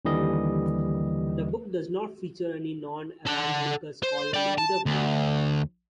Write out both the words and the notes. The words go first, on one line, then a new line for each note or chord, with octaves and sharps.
The book does not feature any non-evangelical scholarly interviews.
D#2 D3 E3 G3 D#5
A4 F#5
C5
D5 G5
A5
D2